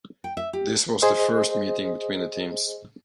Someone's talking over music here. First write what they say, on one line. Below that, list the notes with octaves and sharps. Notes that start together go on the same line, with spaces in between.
This was the first meeting between the teams.
G5
E5
G4
G#4 C5 D#5